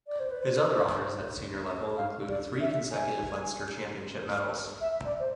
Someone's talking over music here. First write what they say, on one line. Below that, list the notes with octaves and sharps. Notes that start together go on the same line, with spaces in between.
His other honours at senior level include three consecutive Leinster Championship medals.
D5
C5
B4
C5
F5
D5
E5
G#5
E5
D5
C5